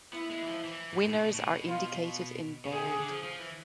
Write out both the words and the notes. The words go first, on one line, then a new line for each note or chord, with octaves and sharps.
Winners are indicated in bold.
B3 E4
G#3
E3
F3
E3
G#2
A2
B2
A2
B2
F4
B2
C3 G#4
D3
D3
F3
F3
E3